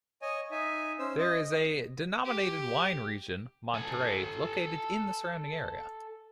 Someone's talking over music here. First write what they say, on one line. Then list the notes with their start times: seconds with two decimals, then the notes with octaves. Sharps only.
There is a denominated wine region-Monterrey-located in the surrounding area.
0.22 C#5 D#5 G#5
0.51 D#4 E5 G#5
0.99 C#4 C5 E6
1.18 D#5
2.25 G4
3.74 A4 G#5